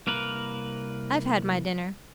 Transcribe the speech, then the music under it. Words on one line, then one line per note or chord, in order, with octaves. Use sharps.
I've had my dinner.'
C2 A#3 A#4 B4